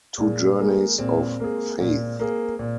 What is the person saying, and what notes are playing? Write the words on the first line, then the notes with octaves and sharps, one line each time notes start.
Two Journeys of Faith.
A#2 G#3
G#3 A#3 G#4
A#2 C4
A#3 G#4
A#2
A#3 G#4
A#2